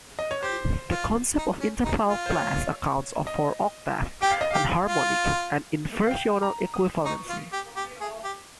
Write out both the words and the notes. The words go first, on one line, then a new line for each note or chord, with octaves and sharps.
The concept of interval class accounts for octave, enharmonic, and inversional equivalency.
D#5
C#5
G4 C5
F4
D#4
C#4
D#4
F4
C5
C#5
D#5
G4 G5
F5
D#5
G4 F5
F4
F5
G5
A#5
D#6
D#4 C#6
F4
G4
G4
G#4
G4